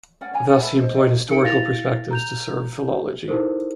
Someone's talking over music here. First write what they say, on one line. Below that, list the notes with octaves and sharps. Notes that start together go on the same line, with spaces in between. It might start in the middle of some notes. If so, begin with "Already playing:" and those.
Thus, he employed historical perspectives to serve philology.
C#4 A#4 D5 F#5
D4 C#5 G#5 A#5
D5 F#5
A4 B4 E5 A5
C5 D#5
A4 D#5 A#5
D#4 A#4 C#7 D7
E4 F5 A6 A#6 F7
A#5 G6 F7
D#4 E4 G4 A4 A#4 C5